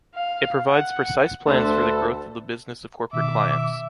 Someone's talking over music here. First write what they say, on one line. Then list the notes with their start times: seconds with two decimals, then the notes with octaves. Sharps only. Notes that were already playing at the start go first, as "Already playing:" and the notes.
It provides precise plans for the growth of the business of corporate clients.
0.15 F5
0.67 F#5
1.47 D2 A3 D4 A4 B4 C5 C6
3.13 B2 D#3 E5 D6